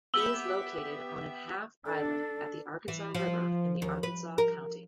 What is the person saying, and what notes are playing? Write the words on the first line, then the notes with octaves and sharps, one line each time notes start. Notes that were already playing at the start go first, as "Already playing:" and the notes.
He is located on an half-island at the Arkansas River in the Arkansas County.
B3 G4 E5 E6 F#7 G7
D4 A4
E3
F3
D#2
B4
A#4